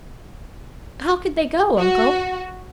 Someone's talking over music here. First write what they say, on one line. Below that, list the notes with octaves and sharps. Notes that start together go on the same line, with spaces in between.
"How could they go, Uncle?"
F#4